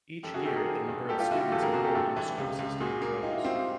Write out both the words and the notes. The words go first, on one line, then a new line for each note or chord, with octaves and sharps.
Each year the number of students enrolled in the school system grows.
F#2 G4 A4
F#4 G#4
D#3 G4 A4
G#4 A#4
F3
G2
G3 G4 A4
F4 G4
D3 E4 F#4
F4 G4
E2 G4 A4
G#4 A#4
C3 F#4 G#4
G4 A4
G2 G4 A4
E3
C#2
C#2
A#2 F#4 G#4
A#3
D#4 F4 G4
E4 F#4
C4 F4 G4
F4 G4